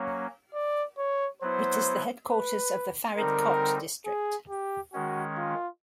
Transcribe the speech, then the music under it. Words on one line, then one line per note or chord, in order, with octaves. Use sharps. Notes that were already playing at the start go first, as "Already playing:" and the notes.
It is the headquarters of the Faridkot district.
Already playing: F#3 A#3 C#4 C#5
D5
C#5
F#3 B3 E4 C5
B4
D3 G3 C4 D#4 A#4
G#4
G4
D#3 G#3 C#4 F#4
F4